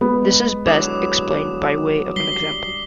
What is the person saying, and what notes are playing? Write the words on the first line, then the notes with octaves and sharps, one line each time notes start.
This is best explained by way of an example.
G#3 B3
D3 F#3 D6 D#6 E7
G3 B6 C7 G7